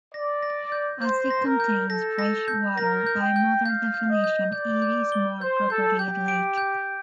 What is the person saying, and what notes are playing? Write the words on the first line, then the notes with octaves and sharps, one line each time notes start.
As it contains fresh water, by modern definitions it is more properly a lake.
D5 A#6
A#6
G6
C5 G6
A#6
A#4
G6
A4 A#6
A#6
G6
A#4 A#6
G6
G5
G6
F5 G6
G6
D#5
G6
D5 G6
G6
G7
C5 G6
A4 G6
G4 G6
D7
G6